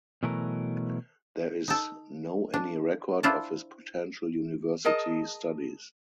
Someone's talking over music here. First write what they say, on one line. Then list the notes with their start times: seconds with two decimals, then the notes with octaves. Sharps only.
There is no any record of his potential university studies.
0.23 B2 E3 F#3 A3 A#4
1.68 D#4 A4
2.54 D4
3.23 D4 E4 F4 C5 D5
4.85 G#4 A#4 D#5 A5